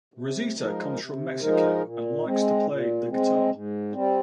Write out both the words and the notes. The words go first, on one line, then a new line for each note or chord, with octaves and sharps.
Rosita comes from Mexico and likes to play the guitar.
C3
F3 G#3 D#4 A#4
C3
F3 G#3 D#4 A#4
A#2
G#3 C4
A#2
G#3 C4
G#2
G3 C4